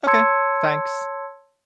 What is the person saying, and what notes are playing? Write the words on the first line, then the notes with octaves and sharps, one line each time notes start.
Ok, thanks.
C#5 A5 C6 E6 G#6 C#7